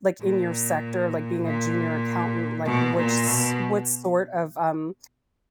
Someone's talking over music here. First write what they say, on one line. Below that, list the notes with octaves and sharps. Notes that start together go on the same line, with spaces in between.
like in your sector, like being a junior accountant, like which s what sort of, um,
A#2
A#2
B2
A#2
B2